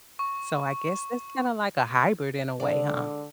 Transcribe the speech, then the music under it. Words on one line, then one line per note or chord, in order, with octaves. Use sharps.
So, I guess that's kinda like a hybrid in a way, huh?
C#6
D3 G#3 D5